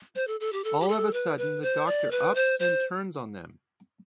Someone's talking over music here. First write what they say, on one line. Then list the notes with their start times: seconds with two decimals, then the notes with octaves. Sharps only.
All of a sudden the doctor ups and turns on them.
0.15 C5
0.27 A4
0.40 A4
0.52 G4
0.64 A4
0.80 G4
0.88 A4
1.13 B4
1.38 B4
1.62 C5
1.86 D5
2.11 B4
2.35 C5
2.59 C5